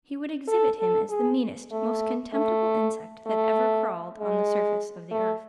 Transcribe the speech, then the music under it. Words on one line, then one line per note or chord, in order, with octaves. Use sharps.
He would exhibit him as the meanest, most contemptible insect that ever crawled on the surface of the earth.
A4
A4
G#4
A3
A3
A3
G#3
A3